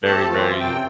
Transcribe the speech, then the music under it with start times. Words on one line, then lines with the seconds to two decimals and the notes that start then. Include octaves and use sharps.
very, very
0.04 A3 C4 G4 A4 A5
0.28 E3 C4 F4
0.59 F#2 C3 C4 G5